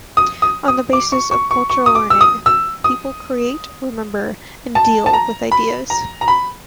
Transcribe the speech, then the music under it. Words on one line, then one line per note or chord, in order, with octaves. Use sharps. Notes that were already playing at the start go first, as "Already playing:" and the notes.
On the basis of cultural learning, people create, remember, and deal with ideas.
D#6
D#6
D#6
D6
C#6
C#6
C#6
C#6
D#6
D6
E6
D#6
E6
D#6
A5
A5
A#5
B5
A#5
A#5
B5